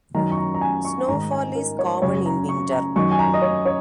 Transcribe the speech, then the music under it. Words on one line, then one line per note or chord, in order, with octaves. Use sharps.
Snowfall is common in winter.
F#2 D#3 A#5
C#6
A#5
A#5
G#5
C#6
G#2 D#3 A#5
G#5
A#4
C#5
F#2 C#3 C#5
A#5
C#6
A#5
F#2 D#3 C#6
G#5
A#5
D#5
C#5
C#5